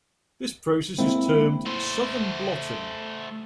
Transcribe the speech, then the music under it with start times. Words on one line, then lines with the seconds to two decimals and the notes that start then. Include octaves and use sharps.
This process is termed Southern blotting.
0.98 G#3 A#3 C4 E4
1.66 A3 C5